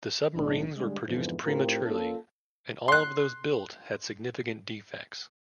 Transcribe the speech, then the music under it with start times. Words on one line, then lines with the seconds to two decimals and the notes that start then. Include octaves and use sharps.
The submarines were produced prematurely, and all of those built had significant defects.
0.35 B1 A2 G#3 D4
0.76 D3 G3 G#3
1.07 F2 G#2 D3 E3 F3 B3
1.45 A2 C4 F4 G4 A#4
1.84 A#3 C#4 F4 A4
2.88 C6 F#6